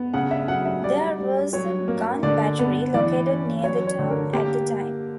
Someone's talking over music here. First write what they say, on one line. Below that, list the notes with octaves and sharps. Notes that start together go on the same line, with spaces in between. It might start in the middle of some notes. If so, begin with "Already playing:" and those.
There was a gun battery located near the town at the time.
Already playing: B3
C#3 F#5
E5
F#3 F#5
E5
G3 D5
G3
F#3 C#5
A#3
D3 D5
B3
E3 D5
C#4
F#3 C#5
C#5
D3
A#4
A#3 G4